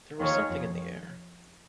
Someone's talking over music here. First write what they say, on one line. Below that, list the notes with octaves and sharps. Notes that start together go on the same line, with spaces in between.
There was something in the air.
D#2 D#3 F4 G#4 C#5 F5
F2 F3